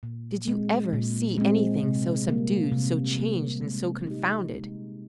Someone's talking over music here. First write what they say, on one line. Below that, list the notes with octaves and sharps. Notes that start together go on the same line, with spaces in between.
Did you ever see anything so subdued, so changed, and so confounded?
A#2
G#3 C4
A#2
G#3 C4
C3
G3 A#3
C3
G3 A#3
G#3
D#4 G4
G#3